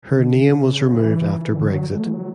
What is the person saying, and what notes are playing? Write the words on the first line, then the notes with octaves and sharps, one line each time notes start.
Her name was removed after Brexit.
C#3
D3
C#3
F#3
E3
E3
D3
F#3
G#3
A3
E3
F#3